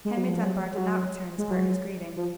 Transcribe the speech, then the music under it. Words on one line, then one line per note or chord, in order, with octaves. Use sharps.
Henry Dunbar did not return his partner's greeting.
G#3
F#3
F3
F#3
G#3
F#3
G#3
F#3
F3